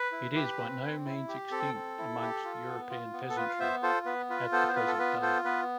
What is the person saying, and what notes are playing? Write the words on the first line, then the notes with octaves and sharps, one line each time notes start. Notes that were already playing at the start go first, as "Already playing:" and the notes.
It is by no means extinct among European peasantry at the present day.
Already playing: B4
E4
G4
C4
C4
E4
G4
C4 A4
C4
E4
G4
F4
B3
F4
B3
A4
F4 B4
F5
B3 C5 E5
F4 A4 C5
B3 B4
F4 B4
B3 A4 C5
C5
F4 B4
A4
B3 B4
F4 A4 C5
B3 B4